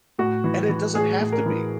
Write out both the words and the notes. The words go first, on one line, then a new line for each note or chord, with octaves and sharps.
and it doesn't have to be.
A2 F#4
E3
E3
A2 G#4
A2
A#4
E3